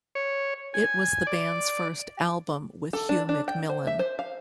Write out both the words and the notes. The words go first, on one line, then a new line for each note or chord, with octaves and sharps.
It was the band's first album with Hugh McMillan.
C#5
G#5
D5
A4
D4
D4
G5
C5
E5
C5
F5